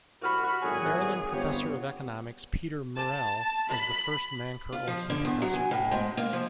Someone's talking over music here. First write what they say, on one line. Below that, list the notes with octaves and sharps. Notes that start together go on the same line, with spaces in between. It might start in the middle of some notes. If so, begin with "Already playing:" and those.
Maryland Professor of Economics Peter Murrell was the first Mancur Olson Professor.
C2 F#4 B5 F6
G#1 E2 A2 F#3 F#4 G#4 G#5
G1 B3 C4 F4 G4 C#5
A5
B5
F4
F3
D3
E2
F#3
G#5
A2
G#2
A#3
F3